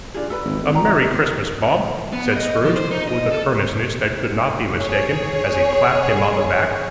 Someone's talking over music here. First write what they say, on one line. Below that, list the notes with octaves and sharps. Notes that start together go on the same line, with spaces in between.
'A merry Christmas, Bob!' said Scrooge, with an earnestness that could not be mistaken, as he clapped him on the back.
D4 F4 G#4
A4 B4 B5
G#1
G#1
G5 A#5
B3
D#5
F3
C5
D#4
D#5
A4
G#4 C#5